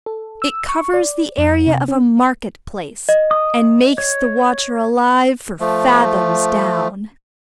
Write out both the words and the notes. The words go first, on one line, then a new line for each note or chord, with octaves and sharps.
It covers the area of a market-place, and makes the water alive for fathoms down.
A4
E6
C#6
D5
F2
C3
C#4
D#5
D#6
C#5
F3 A3